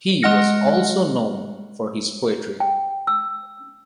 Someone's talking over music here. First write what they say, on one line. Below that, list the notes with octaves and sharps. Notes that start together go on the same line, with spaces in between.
He was also known for his poetry.
G#3 D#5 F#5 F6 A#6 C#7
G5
E6